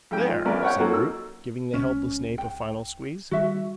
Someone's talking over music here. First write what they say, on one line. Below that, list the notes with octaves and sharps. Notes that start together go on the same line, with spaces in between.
"There!" said Rupe, giving the helpless nape a final squeeze.
F2 G#2 G5
F4
G#1 F#2 B3 A#4 D5 G#5
C#5 F#5 G5
F#3 A#3 F4 F#4 A4
E6
C#2 C#4
G5
D#3 G3 F#4 E5